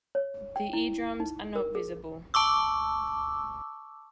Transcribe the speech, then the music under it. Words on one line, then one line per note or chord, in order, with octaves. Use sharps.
The eardrums are not visible.
C#5
G5
E4
D#4
A#4
G#4
A5 C#6 D6 E6